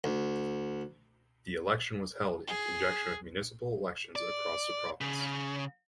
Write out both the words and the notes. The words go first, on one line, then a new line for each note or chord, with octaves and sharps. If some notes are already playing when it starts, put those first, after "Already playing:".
The election was held in conjunction with municipal elections across the province.
D2
G#4
D5
C#3